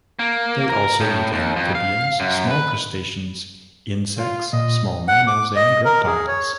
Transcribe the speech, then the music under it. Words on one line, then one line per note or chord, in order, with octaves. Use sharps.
They also eat amphibians, small crustaceans, insects, small mammals and reptiles.
A#3
A#4
A2
D#2
F2
F5
F#2
B4
F4
A#2 D#5
F#5
D6
D#5
A#4
G#4
C#5